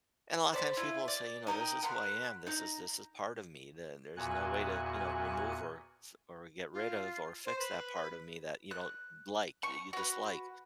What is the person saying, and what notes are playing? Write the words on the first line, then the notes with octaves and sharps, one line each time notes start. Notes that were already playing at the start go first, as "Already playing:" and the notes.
and a lotta times people will say, you know, "This is who I am. This is this is part of me. There there's no way to, you know, remove or f or get rid of or fix that part of me that you don't like, that you dislike."
C5 D5 B5
E4 F4
D5
D#4 A#4 G5 D#6
A#4 F#5 B5 C6
D#4 A#5
E2 A#2 F#4 G#5 F#6
F4
C5
B4
F#6
C#6
F#4 B4